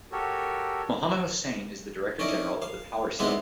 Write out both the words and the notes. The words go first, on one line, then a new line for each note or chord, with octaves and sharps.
Mohammad Hossain is the Director General of the Power Cell.
F#4 G4 A4 A#4 C#5
C#4 D#4 E4 D5
F5
G3 G#3 B3 C4 D#4 E4